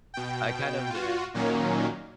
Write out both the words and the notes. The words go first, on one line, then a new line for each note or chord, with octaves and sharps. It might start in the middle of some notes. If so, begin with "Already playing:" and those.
I kind of d
B2 G5
F4 F#4
A#2 D#3 F#3 A#3 C#4